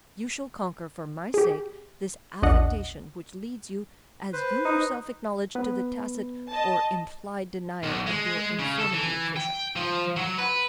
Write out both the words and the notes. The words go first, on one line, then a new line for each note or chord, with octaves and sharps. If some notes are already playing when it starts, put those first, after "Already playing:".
You shall conquer, for my sake, this affectation which leads you, as you yourself acknowledge, to the tacit or implied denial of your infirmity of vision.
G4 G#4
A#1 E2 D4 D#5 F#5
B4 C5
D#4
B3 B4
D#5 A5
B1
G#3
C#3
A4
E3
G5
F3
F#3
B4